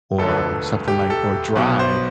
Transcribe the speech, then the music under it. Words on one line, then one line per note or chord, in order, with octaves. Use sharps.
or something like or drive
E1 D2 D3 F3 A4
B4
A4
G4
A4
B1 B2 B3
C5